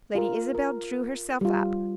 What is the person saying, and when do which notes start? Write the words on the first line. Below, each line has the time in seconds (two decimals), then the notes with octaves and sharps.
Lady Isabel drew herself up.
0.15 F4 A#4
0.55 A#4
1.41 G3 F4